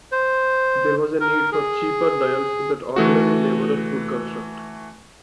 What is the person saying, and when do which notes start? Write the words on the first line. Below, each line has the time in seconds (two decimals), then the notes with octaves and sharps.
There was a need for cheaper dials that ordinary laborer could construct.
0.12 C5
1.20 A#4
1.52 G#4
2.96 E3 A3 F#4